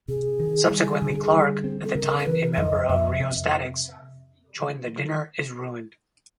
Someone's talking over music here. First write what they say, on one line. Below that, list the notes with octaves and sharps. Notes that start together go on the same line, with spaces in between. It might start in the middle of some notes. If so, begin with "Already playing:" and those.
Subsequently Clark, at the time a member of Rheostatics, joined The Dinner is Ruined.
C3 G#4
D#3
G3
D3
G3
C4
A4
C#3 A#4
A#4
E3 B4
E5
F2 D#5
F2 E5
C3